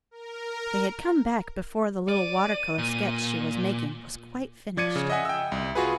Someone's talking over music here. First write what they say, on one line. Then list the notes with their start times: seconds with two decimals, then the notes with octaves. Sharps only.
They had come back before the little water-colour sketch she was making was quite finished.
0.11 A#4
2.09 D5 D#7
2.78 A#2
4.77 F3 D5 G#6 C#7 D#7
4.95 C#3
5.10 D#5 E5 F#5 G#5
5.25 G5 E6
5.52 C2
5.75 F4 F#4 G#4 B4